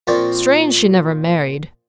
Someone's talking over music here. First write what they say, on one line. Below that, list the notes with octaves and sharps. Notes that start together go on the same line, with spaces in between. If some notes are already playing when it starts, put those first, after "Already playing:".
Strange she never married.
A#2 F3 C4 A#4 D5 C#6